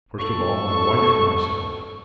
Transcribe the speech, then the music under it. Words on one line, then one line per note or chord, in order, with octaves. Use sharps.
First of all my wife and myself.
A4 C#6